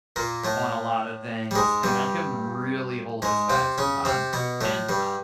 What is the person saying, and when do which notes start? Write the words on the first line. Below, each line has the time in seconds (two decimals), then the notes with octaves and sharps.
on a lot of things, and that can really hold us back sometimes. And I
0.16 A#2 A#3
0.44 A2 A3
1.51 G3
1.55 G#2 G#3
1.83 G2 G3
3.22 G#2 G#3
3.50 C3 C4
3.78 C#3 C#4
4.05 C3 C4
4.33 B2 B3
4.61 A2 A3
4.89 G2 G3